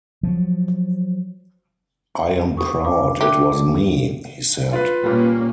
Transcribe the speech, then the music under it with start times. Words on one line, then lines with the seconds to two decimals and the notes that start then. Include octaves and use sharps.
I am proud it was me, he said.
0.23 F3 F#3
2.57 G4 C#6 D#6
2.85 C#4 F5 D6
3.21 D3 G4 A#4 E5 D6
4.73 F4 B4
5.04 A#2 G3 A#3 C#4